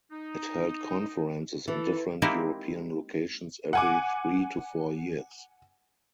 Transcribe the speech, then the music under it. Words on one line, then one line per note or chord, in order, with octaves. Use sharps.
It held conferences in different European locations every three to four years.
D#4
E3 A4
G#3 A#3 C4 D#4 E4 G4
F#5 G#5 D6